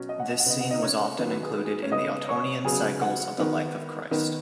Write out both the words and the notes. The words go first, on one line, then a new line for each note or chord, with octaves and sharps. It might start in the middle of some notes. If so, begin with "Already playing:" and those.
This scene was often included in Ottonian cycles of the Life of Christ.
Already playing: B2 F#3 C#4
D#5
F#5
D#5
F#5
C#3 B3 D#5
F#5
D#4 D#5
C#4 C#5
D#3 F#3 B3 B4
B4
G#4
B4
G#4
C#4 C#5
C#3 B3 D#5 D#6
C#5 C#6
C#3 F#3 B3 G#4 G#5
F#4 F#5
D#3 B3
D#3 B3